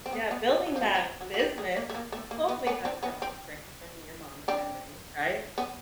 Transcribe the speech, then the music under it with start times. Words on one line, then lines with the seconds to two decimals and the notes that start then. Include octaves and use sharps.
Yeah, building that business, you totally had to draw on strength from your mom's memory, right?
0.06 C4
0.13 B3
0.31 B3
0.48 G3
0.66 F#3
0.76 F3
0.83 F#3
0.95 F3
1.21 F#3
1.34 F#3
1.39 G3
1.58 G#3
1.76 A#3
1.90 A3
1.95 A#3
2.12 A3
2.31 A#3
2.49 B3
2.67 B3 C#4
2.85 C4 D4
3.03 B3 C#4
3.22 C4
4.48 C4 D4
5.58 B3 C#4